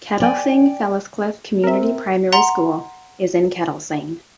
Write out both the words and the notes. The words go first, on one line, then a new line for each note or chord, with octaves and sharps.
Kettlesing Felliscliffe Community Primary School is in Kettlesing.
D5 G5 G#5
C4 A#4 E5
F#5 A#5 C6